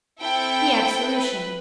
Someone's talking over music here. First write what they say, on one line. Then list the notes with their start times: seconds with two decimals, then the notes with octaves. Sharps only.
The Absolution.
0.21 C4 E4 A4 G5
1.11 B4